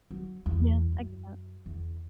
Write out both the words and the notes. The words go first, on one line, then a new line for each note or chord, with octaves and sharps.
Yeah, I get that.
F#3
E2
F#2
E2